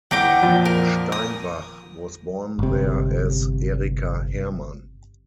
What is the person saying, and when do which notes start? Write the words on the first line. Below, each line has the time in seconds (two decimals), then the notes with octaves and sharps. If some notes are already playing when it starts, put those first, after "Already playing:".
Steinbach was born there as Erika Hermann.
0.11 G1 E2 F#5 G5 D6 A#6
0.42 F2 A#2 F3
0.65 A#4
1.12 D#6
2.59 G1 C3